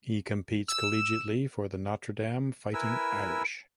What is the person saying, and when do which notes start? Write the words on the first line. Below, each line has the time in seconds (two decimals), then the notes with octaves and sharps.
He competes collegiately for the Notre Dame Fighting Irish.
0.68 E6
2.74 E4 A#4 B4 G#5 E6